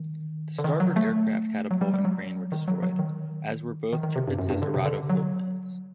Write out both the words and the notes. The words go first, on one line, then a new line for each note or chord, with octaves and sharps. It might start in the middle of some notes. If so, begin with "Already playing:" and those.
The starboard aircraft catapult and crane were destroyed, as were both "Tirpitz"s Arado floatplanes.
Already playing: D#3
D3
D#3
F#3
A3
F#3
G3
G3
F#3
D#3
F#3
F#3
D#3
D#3
D#3
C3
G2
F#2
G2
D3
C3
D3
F#3